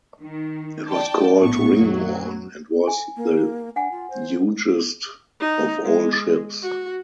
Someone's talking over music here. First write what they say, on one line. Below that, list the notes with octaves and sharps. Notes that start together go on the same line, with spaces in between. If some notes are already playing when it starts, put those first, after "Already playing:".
It was called Ringhorn, and was the hugest of all ships.
D#3
D5 G5 A5
A#1 A2 B3 C#6
F#2 F#3
G#5
A#3
D4 F#5 G#5
F4
C5
D#4
G#3
F#4